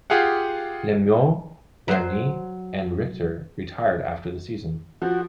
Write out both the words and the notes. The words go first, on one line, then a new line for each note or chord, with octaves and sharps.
Lemieux, Burnie and Richter retired after the season.
F4 G4 G#4 F5 F#5
F#3 C5
F3 F#4